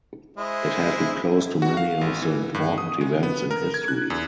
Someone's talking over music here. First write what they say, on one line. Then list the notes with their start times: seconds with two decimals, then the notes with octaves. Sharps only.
It has been close to many of the important events in history.
0.36 G#3 E4 C5
1.62 F#4
1.77 F5
2.01 G#1
2.22 E3
2.54 G2
2.78 D#6
3.01 G#3
3.23 B3
3.51 A#4
3.74 G#6
3.88 F#6
4.10 E2